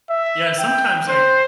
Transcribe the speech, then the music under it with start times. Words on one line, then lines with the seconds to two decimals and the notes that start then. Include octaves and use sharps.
Yeah, and sometimes, like,
0.10 E5
0.59 G5
1.08 C5